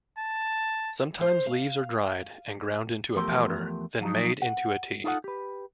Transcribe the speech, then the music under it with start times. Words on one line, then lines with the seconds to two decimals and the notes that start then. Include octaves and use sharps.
Sometimes leaves are dried and ground into a powder, then made into a tea.
0.18 A5
1.21 C5
1.46 F5
3.16 E2 F3 A3 G4 A#4 C6
4.01 F3 F#3 D#4
4.42 F#5
5.04 D#4 F4 A4 C#5 F#5
5.24 G4 B4